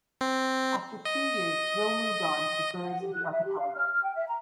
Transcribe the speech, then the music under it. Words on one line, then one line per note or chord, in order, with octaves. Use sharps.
After two years Grill moved on to the birds of the archipelago.
C4
D#5
F#5
G4
F#6
E5
G4
F5
F6
F6
G5
E5
A#5